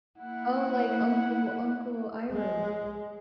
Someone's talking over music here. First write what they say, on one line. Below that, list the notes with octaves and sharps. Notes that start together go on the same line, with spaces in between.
Oh, like Uncle Uncle Iroh.
A#3 E4 F#5
G#3